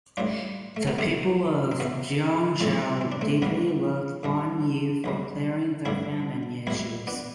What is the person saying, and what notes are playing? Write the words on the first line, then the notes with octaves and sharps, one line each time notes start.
The people of Jiangzhou deeply loved Huan Yi for clearing their famine issues.
A1 A2 E3 G3 D4 F4
A3
B3
D2 C3 G3 A3 C4
C4
E2 C3 E3 B3
E2 C3 G3 A3 C4
C4
D4
A3 C4
E2 C3 E3 G3 B3 D4
F2 C3 G3
B1 B2 G3
G2 D3 G3 C4 E4
C2 B2 G3 C4 E4
B3 D4